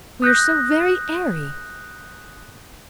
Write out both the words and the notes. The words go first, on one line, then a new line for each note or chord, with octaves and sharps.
We are so very airy!
D#6 F#6 G6 A#6